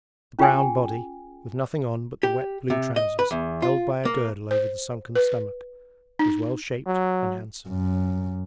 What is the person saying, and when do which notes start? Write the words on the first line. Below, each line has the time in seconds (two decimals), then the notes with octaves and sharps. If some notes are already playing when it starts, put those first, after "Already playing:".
The brown body, with nothing on but the wet blue trousers held by a girdle over the sunken stomach, was well shaped and handsome.
0.39 C#4 F4 G#4 G5 G#5
2.23 G4
2.70 C3
2.96 D#5
3.19 B4
3.31 E2
3.62 F4
4.05 A#3
4.51 C5
5.15 B4
6.19 D#4
6.87 F#3
7.69 F#2